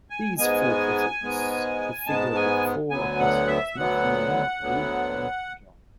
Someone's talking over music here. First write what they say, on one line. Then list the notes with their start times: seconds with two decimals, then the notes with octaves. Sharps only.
These four prophets prefigure the four Apostles Matthew, Mark, Luke, and John.
0.10 G#5
0.38 G#2 G#3 B3 G#5
1.23 G#2 G#3 B3
2.07 G#2 G#3 B3 A5
2.35 G#5
2.91 D2 D3 F#3 B3 G#5
3.20 F#5
3.47 E5
3.75 D2 D3 F#3 B3 F#5
4.60 D2 D3 F#3 B3